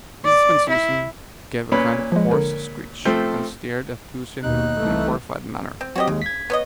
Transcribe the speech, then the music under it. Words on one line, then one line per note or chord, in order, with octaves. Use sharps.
Mrs. Bensusan gave a kind of hoarse screech, and stared at Lucian in a horrified manner.
D5
E4
A#2 C#4 B4
F3 G#3
D3 A#4
F3 A3 C4 G6
D#2 B2 D#4 F#6
C2 E3 A3
C4
F#3 C4 F#4 G4 C#5 D#5
D#2 C#3 G#3
G#6 B6
B3 C#5 D#5